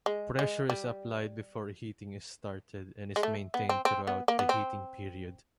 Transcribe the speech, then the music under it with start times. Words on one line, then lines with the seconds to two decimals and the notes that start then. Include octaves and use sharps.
Pressure is applied before heating is started and is maintained throughout the heating period.
0.06 G#3
0.39 G#3
0.70 G3
3.16 G#3
3.23 A3
3.54 B3
3.69 C4
3.85 C4
4.07 B3
4.28 A#3
4.39 B3
4.49 C4